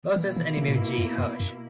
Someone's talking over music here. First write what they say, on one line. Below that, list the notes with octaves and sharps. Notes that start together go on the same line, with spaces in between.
Moses and Emil G. Hirsch.
B2 E3 A#3 E4
E3
D#3
A#2
G#2
F#2
F#2
F#2